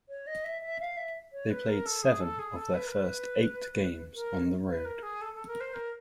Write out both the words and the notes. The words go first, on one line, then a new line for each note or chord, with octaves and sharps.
They played seven of their first eight games on the road.
C#5
D#5
E5
E5
F5
E5
C#5
B4
A#4
A4
G#4
A4
G#4
A4
B4
A#4
B4
A#4
B4
A#4
G#4
A4
A4
A#4
C5
A#4